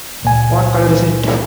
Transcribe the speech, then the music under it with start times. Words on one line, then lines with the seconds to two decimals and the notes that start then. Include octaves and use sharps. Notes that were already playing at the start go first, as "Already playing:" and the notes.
What color is it?
0.23 C#2 A#2 G#5